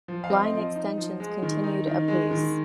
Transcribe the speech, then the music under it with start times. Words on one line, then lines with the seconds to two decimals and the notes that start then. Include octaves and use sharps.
Line extensions continued apace.
0.08 F3
0.24 F5
0.30 C4 D#5
0.53 F3
0.76 D#4
0.98 F3
1.20 G#3
1.42 D#3
1.64 D#4
1.87 D#3
2.08 G#3
2.31 D#3